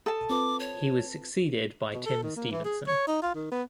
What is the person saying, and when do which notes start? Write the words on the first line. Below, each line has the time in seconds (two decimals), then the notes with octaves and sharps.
He was succeeded by Tim Stevenson.
0.06 A4 A5 D#6
0.30 C4 F4 B4 D6
0.60 C#5
1.93 B2
2.06 A4
2.23 D#3
2.36 A#3
2.51 E3
2.65 G#4
2.87 C#5
3.07 D#4
3.22 F4
3.35 D#3
3.51 B3